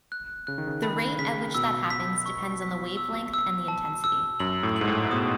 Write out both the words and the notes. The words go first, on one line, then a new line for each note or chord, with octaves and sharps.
The rate at which that happens depends on the wavelength and the intensity.
F#6
C#3 F#6
D#3
C#3
D#3 B5
C#3 B6
B2 E6
B6
C#6
B6
E6
E6
A5
E6
F#2 F#7
A2
G#2 F#7
A2
B2 D#6